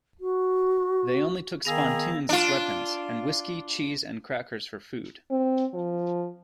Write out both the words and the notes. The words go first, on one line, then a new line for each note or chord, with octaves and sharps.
They only took spontoons as weapons and whiskey, cheese, and crackers for food.
F#4
D#3 B3 G#4 F5 E6 A#6 F7
D4 F4
C4
F3